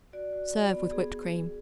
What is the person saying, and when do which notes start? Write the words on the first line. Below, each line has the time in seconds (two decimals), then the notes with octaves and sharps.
Serve with whipped cream.
0.13 F#4 D5
0.33 F#4
0.53 F#4
0.73 B3
0.92 B3 G#4
1.12 B3
1.32 B3